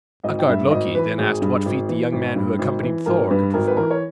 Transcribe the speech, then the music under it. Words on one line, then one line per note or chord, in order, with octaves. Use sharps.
Utgard-Loki then asked what feat the young man who accompanied Thor could perform.
G#1 D#5
G5
G2 E5
G#1 D#5
E3 B4
G#1 G#4
G2
G#1
E3
G#1
G2
G#1
E3
G#1 A#4
G2 B4
G#1 A#4
B4
E3 A#4
C#5